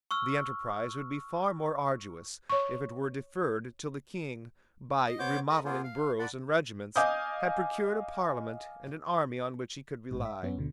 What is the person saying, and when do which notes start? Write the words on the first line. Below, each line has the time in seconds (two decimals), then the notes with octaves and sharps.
The enterprise would be far more arduous if it were deferred till the King, by remodelling boroughs and regiments, had procured a Parliament and an army on which he could rely.
0.11 C#6 E6 F6
2.50 C#5 C#6
5.06 D#5
5.19 B3 C5 C#5 D6 G6
5.50 A4 D#5 A#5 B5 D#6
5.65 A#3 B3 F4 G#4 C5
5.84 F5
6.19 D5 F#5 A5 B5
6.96 D#5 F5 G#5 D6 D#6 G6
10.11 A1 G#2
10.25 E5
10.43 F#2 B3 C#4
10.57 D2 B2 D3